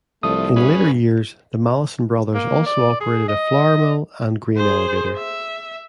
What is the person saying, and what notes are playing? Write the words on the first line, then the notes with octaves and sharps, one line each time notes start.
In later years the Mallison Brothers also operated a flour mill and grain elevator.
C2 F3 A3 D#6
G2 C#4 G#4 B4
A#3
D5
G#4
D#5
G#4 C5
E5